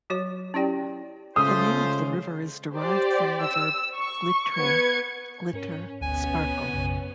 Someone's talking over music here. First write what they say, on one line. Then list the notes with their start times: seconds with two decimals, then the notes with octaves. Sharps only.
The name of the river is derived from the verb "glitre" 'glitter, sparkle'.
0.10 F#3 F#4 C#5
0.54 C#4 E4 G4 D5 G5
1.36 C#3 G#3 A3 F4 C5 D#6
2.75 G4 C5 D5
3.45 E6
3.98 C#6
4.53 B3 G#6 C#7
5.53 G#2 C#4 A#4
6.01 G#1 D2 B2 B3 C#4 G#5
6.73 B1 F#2 C#3